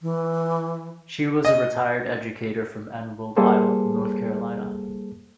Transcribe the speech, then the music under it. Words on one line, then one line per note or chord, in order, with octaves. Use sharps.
She was a retired educator from Emerald Isle, North Carolina.
E3
D#5
G3 A#3 G#4 A4 C5